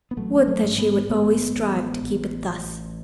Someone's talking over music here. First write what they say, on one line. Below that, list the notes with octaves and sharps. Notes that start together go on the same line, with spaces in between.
Would that she would always strive to keep it thus.
B3
A1 F#3 A3
F#3 A3
G#2
G#3 B3
A1 G#3 B3
A1
A1
A1